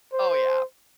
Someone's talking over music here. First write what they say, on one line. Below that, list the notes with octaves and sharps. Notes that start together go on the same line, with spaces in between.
Oh, yeah.
C5